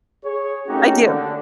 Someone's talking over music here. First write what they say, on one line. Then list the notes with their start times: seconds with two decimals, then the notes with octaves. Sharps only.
I do.
0.24 G#4 C#5
0.68 A3 A#3 C#4 D#4 F#4 G4
1.04 D3